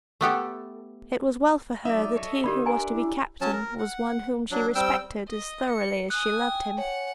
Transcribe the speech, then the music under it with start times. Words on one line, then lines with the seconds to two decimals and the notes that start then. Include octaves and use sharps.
It was well for her that he who was to be captain was one whom she respected as thoroughly as she loved him.
0.21 A3 B3 G4 A4
1.85 F#3 D#4 D5 E5
2.16 A4 C#5 D#5
2.44 D3 D#4 G4 A#4 D5 B5
2.66 D4 G#5 A#5
2.90 E4
3.41 F#3 C#4 A5
3.53 A#4
3.79 F#5
4.51 F#3 D4
4.75 G3 C4 G5 E6
5.29 D#5
5.71 C#7
6.10 G#5 D#6 F#6
6.41 G5
6.78 C#5 F#5 G#5